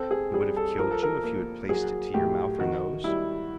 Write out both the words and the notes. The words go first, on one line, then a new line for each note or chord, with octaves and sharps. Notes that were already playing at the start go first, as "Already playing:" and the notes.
"It would have killed you if you had placed it to your mouth or nose?"
Already playing: C4 A4
G#4
G3 G#4
A4
F3 A#4
A4
A#4
A#3
F#3 G#4
A2 G4
D#3 F#4
G3 E4